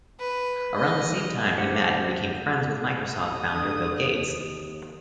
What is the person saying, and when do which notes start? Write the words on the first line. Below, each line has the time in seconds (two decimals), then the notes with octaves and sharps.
Around the same time he met and became friends with Microsoft founder Bill Gates.
0.20 B4
0.77 D#5
1.58 G4 C5 F#5
3.18 A1 D#6
3.50 D3
4.19 D#2